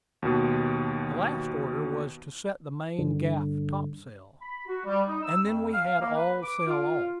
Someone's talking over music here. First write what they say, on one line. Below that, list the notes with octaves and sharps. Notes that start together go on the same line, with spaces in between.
The last order was to set the main gaff-topsail; and then we had all sail on.
D#2 B2
G2 D3
B5
F#4
G3
D#4
E6
F2
F5
A#3
B4
D6
F4